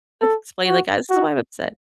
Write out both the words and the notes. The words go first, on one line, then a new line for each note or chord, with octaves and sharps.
like, explain, like, "Ah, this is why I'm upset."
A4
F#4
F#4